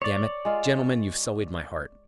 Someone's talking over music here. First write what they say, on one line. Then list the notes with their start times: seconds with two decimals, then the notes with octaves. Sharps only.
Damn it!... Gentlemen, you've sullied my heart!
0.02 C#5 D5
0.45 G#3 F4